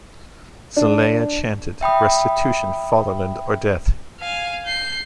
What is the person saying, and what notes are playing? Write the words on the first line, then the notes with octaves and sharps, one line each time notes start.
Zelaya chanted Restitution, Fatherland or Death!
D4
E5 G5 B5 D#6
F5 G#5
G6 C7